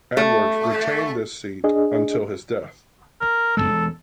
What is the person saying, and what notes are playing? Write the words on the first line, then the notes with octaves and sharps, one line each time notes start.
Edwards retained this seat until his death.
A3
D4 G#4 D#5
A#4
E1 D#2 G#3 A4